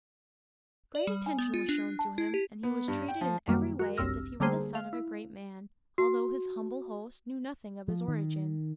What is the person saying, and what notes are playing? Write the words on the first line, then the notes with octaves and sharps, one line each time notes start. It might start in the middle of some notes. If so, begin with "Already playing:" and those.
Great attention was shown to him, and he was treated in every way as if he were the son of a great man, although his humble host knew nothing of his origin.
D5
G3
G#5
B3
F4
D4
A5
E4
G4
B3
G2
G5
F3
F#2 D#3 F#3 G3 A#3
F#4 A#4
G1 C2 F#2 E6 F6 A#6
D3 G3 A3 A#3 G#4 C5
F5
E4
F#4
F3
D#3